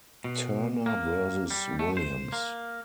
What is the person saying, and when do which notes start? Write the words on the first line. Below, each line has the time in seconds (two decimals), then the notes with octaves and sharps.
Turner versus Williams.
0.24 B2
0.86 A#3
1.50 G3
1.79 A3
1.97 C5
2.32 A#3